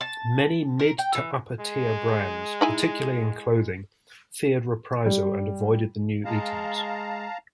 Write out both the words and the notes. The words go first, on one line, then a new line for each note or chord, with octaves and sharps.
Many mid-to-upper tier brands, particularly in clothing, feared reprisal and avoided the new Eaton's.
A5
A#4
G5
E3
G#3
D#4 E4 G#5
G3
G#3 F5 A5 A#5